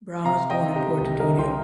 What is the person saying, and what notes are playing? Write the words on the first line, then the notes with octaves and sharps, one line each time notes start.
Brown was born in Port Antonio.
C3 F5 A#5
D#5 G5
C3
D#4 G4
C2
A#4 D#5
C2 G5 C6